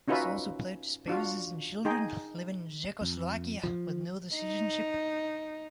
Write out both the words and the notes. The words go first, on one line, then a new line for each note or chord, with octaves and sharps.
This also applied to spouses and children living in Czechoslovakia with no other citizenship.
C#4 D#4 F4 F#4 B4 E5
D4 F4 F#4
D#4 G#4 G5
F2
F3
D#4